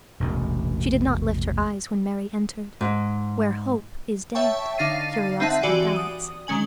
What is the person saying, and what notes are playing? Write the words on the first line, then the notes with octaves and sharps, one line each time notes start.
She did not lift her eyes when Mary entered: where hope is dead, curiosity dies.
E1 A1 C3
G#2
C#5 E5 G5 A5 C#6
D3 D#4 F5 A6 C7 D#7
C4 D#4 E5 F#5 A5
E3 F#4 G4 D5 G#5 D#7
D#6
D#3 G#3 C#4 G#5 F#7